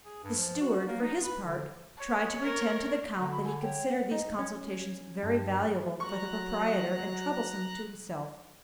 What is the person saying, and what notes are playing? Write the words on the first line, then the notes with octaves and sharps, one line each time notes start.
The steward for his part tried to pretend to the count that he considered these consultations very valuable for the proprietor and troublesome to himself.
G#4
G2
F3
F#4
A#3
D#4
B4
D3
C#5
A#4
D3 F#4 A#5
B5
A4 G#5
C#5 G5
F#5
D#4
C#4
G2
F#3 A#5 C#6 F#6